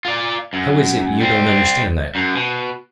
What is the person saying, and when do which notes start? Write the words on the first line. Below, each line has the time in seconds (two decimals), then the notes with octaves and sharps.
How is it you don't understand that?
0.05 F4 D5
0.53 F#2
1.20 G3 C4
2.15 F#2
2.35 B2